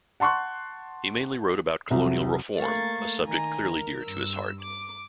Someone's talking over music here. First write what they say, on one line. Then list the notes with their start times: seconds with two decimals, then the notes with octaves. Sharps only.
He mainly wrote about colonial reform, a subject clearly dear to his heart.
0.20 F#5 A5 C6 C#6 F#6
1.90 C2 F2 F#3
2.58 A3 A#3 C#6 A6
3.23 D#3 G#5 A#5
3.74 A#4
4.02 G2 E6
4.59 D6